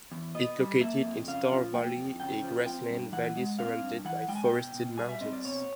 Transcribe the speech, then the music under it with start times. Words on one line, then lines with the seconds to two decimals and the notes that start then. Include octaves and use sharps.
It located in Star Valley, a grassland valley surrounded by forested mountains.
0.12 E2
0.35 B2 D#5
0.59 G3
0.81 A#3 E5
1.04 F2
1.27 C#3 F5
1.51 F3
1.73 A#3 G5
1.96 F2
2.20 C#3 G5
2.43 F3
2.66 C4 G5
2.89 G2
3.12 E3 F#5
3.36 G#3
3.59 C4 F5
3.82 G2
4.05 E3 F#5
4.28 G#3 G5
4.36 G#5
4.45 G5
4.52 B2
4.75 B2
4.98 G3 G#5
5.09 E5
5.21 C4 D#5
5.33 D5
5.44 B2 C#5